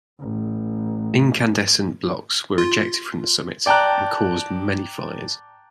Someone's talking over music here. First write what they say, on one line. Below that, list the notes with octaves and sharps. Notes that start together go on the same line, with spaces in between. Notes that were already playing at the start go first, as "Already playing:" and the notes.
Incandescent blocks were ejected from the summit and caused many fires.
A1
F4
D5 G5 A5 A#5 F#6